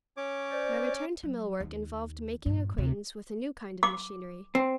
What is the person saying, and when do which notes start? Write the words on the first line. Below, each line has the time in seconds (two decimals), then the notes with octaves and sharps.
My return to mill-work involved making acquaintance with a new kind of machinery.
0.17 C#4 C#5 D6
0.51 C5 D5
1.23 F#3
1.60 D#2
2.46 G2 A#2
2.78 D2 C3
3.83 D6
4.55 C4